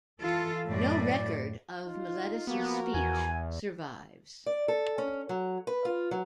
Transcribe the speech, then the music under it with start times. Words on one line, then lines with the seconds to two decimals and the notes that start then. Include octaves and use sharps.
No record of Meletus' speech survives.
0.21 E3 F4 A4
0.68 F#2 A2 D5
1.86 D#4 F4
2.47 F3 A#3 B3 F#4 A#4
2.94 E2 G#5
4.46 D5
4.68 A4
4.98 C#4
5.29 F#3
5.67 B4
5.85 F4
6.11 F#3